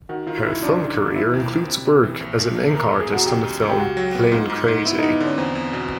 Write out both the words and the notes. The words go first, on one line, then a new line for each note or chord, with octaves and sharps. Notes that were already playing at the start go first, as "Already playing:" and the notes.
Her film career includes work as an ink artist on the film "Plane Crazy".
D#3 F#4
D#3 F4
F4
C#2 E4
F#2 D4
D#3
D#3
F3 E4
D#2
F3
C3
C3
E3
A#1
A#2
A#1
E2 A#4
A4
E2
G#4
E2 F#4
C#2 G4
C#2
C#2
G4
C#2 F#4
F#3
B3
G#2 F4
G#2
G#2
B3 E4
D#4
B3
D3 C#4
E2 C4
E2
B2